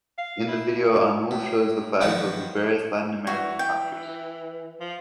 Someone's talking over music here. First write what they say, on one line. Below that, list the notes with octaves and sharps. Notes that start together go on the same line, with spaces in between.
In the video Anuel shows the flags of the various Latin American countries.
F5
E4
A2
D#3 F3 F#3 B3 A5
E3 F#4
G5
F3